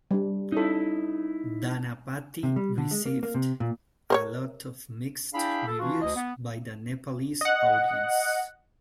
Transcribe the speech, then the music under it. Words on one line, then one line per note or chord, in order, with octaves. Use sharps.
Dhanapati received a lot of mixed reviews by the Nepalese audience.
G3 D4
C#4 D#4 E4 A4
C3
G3
D3
G#3
A#3
A#3
C3
A#2
A#4 C5 C#5
D4 E4 G#4 F5 G5 B5
A4
E3 D4 F4 F#4
D2 D#5
B3
D#5 F#5